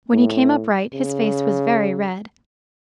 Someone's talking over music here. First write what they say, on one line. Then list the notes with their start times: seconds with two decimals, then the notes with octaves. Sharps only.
When he came upright his face was very red.
0.13 A2
0.94 C#3